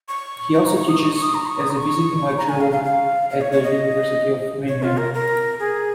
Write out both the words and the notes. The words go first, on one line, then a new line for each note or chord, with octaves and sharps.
He also teaches as a visiting lecturer at the University of Mannheim.
C#6
C#6
A#5
C#6
D#6
C#6
C#6
D#6
A#5
C#6
D#6
A#5
C#6
A#5
G#5
F5
F5
F5
F5
C#5
C#5
D#5
C#5
F4
A#4
A#4
G#4